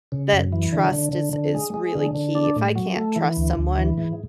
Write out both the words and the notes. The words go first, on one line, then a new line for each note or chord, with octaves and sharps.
that trust is is really key. If I can't trust someone,
C#3
F#2
E3
D3
D3
D3
D3
G#3
G#3
D3
D3
D4
A2
F#3
A3
E3
D2
D2
E3
G#2